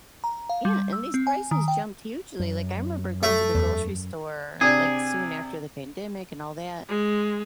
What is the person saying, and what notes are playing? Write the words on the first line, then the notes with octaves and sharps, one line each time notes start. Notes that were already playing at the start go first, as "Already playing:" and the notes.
Yeah, and these prices jumped hugely, like, I remember going to the grocery store, like, soon after the pandemic and all that,
A#5
F5
G3
E6
C4
G#5
D#3
G5
F#2
A3
E2
C3 D4 G#4
G#3